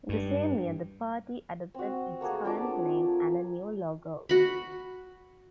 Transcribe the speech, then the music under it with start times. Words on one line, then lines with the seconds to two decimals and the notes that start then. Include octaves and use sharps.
In the same year, the party adopted its current name and a new logo.
0.09 G2
1.74 C4 F#4
2.21 A3 A#3 F#4 G#4
2.44 F3 D4 D6
4.29 F#4 B5